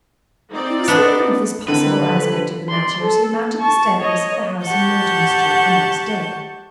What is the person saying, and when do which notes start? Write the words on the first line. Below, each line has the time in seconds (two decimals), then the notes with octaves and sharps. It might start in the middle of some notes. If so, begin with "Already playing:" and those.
He was thinking of this possible aspect of the matter as he mounted the staircase of the house in Mortimer Street the next day.
0.51 C4 D#4 D5
0.88 B3 D4
1.68 A2 D3 D#3 B4
2.05 F3 G3 A4
2.69 D5 C6
3.01 A4
3.59 A5 C#6
4.00 C#5 D#5
4.63 G4 F#5 A5 C#6 G6